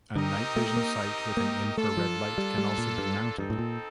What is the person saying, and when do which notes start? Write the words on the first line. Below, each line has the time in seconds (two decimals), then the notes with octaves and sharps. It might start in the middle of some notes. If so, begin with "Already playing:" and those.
A night vision sight with an infra red light can also be mounted.
0.16 D3 C4 D#4 G4 A#4 D#5
0.56 A3
0.77 A#3
1.37 A#3
1.77 A3 A#3 D4 F4 A4
1.97 F3
2.38 G3
2.58 G3
2.78 A#2
2.98 G2
3.38 G2 C4 D#4 A4
3.50 A2
3.59 A#2